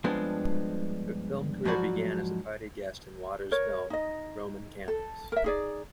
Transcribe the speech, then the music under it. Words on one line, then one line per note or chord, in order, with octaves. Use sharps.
Her film career began as a party guest in Waters' film "Roman Candles".
G2 F3 G#3 B3 C4 D4
G#2 F3 F#3 F#4 D5 B5
A#4 C#5
D#4 D#5
A4
A#4 E5
D#4 G#4 D5